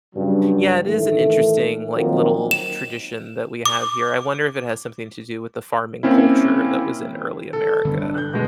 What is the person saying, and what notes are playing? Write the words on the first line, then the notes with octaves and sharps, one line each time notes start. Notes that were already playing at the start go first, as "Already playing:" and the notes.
Yeah, it is an interesting, like, little tradition that we have here, I wonder if it has something to do with the farming culture that was in early America.
G2 C#3 F#3
A2 D#3 E3 A3
D#3 F3 F#3 A#3 C4 D#4
E7
D6
A#3 C4 C#4 E4
A4
G2 D3 D4
F#6 G6
B2 G#3